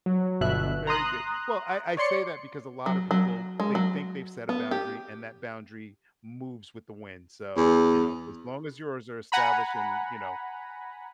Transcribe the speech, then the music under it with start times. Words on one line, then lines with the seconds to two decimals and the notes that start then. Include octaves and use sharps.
very good. Well, I I say that because a lotta people, they think they've set a boundary and that boundary moves with the wind. So, you know, as long as yours are established and, you know,
0.06 F#3
0.41 G1 B2 E5 F#6
0.87 A#5 C6 D#6 F#6
1.97 C#5 D5 C6 C#7
2.86 F#3
3.11 F#3
3.60 G#3
3.75 F#3
4.49 B3
4.71 G4
7.57 E2
9.32 F#5 G#5 A#5 B5